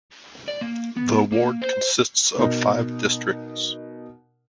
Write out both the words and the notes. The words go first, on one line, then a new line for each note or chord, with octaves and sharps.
The ward consists of five districts.
D5
A#3
B3
A#3
C5
B2 D#4 A#4